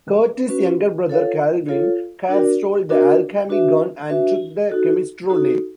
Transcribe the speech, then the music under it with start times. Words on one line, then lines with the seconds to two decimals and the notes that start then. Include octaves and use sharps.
Curtis' younger brother Calvin Carr stole the alchemy gun and took the Chemistro name.
0.48 C#4 F#4 B4
1.08 F4 A4 C#5 F5
1.68 F4 A4 C#5 F5
2.29 D4 F#4 A#4 D5
2.89 D4 F#4 A#4 D5
3.49 D4 F#4 B4 E5
4.10 D4 F#4 B4 E5
4.70 D#4 F#4 A4
5.30 D#4 F#4 A4